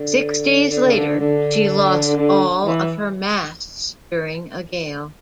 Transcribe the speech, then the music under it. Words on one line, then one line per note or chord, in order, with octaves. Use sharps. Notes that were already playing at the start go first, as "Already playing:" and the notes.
Six days later she lost all of her masts during a gale.
Already playing: D3
D3
C#3
D3
D3
D3
E3